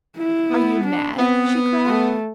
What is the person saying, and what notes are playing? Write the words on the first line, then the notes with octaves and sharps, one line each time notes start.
"Are you mad?" she cried.
E4
B3
D4
B3 C4
A3